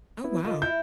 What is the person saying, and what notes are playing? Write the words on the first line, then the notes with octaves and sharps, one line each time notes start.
Oh, wow.
B3 E4 B4
D#3 F4 D#5
E4 G6